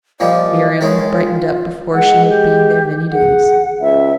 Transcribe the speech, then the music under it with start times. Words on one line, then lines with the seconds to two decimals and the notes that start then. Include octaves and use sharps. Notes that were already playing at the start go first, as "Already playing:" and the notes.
Muriel brightened up before she had been there many days.
0.20 A#2 F3 G3 D#5
0.81 D#3 G#3 C#5
1.17 F4
1.93 G#3 F#5
2.29 G4
3.12 G#4 F#5
3.81 C#2 E5